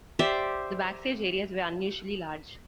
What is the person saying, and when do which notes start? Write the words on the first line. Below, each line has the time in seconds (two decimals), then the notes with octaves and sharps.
The backstage areas were unusually large.
0.19 G4 C5 D5 E5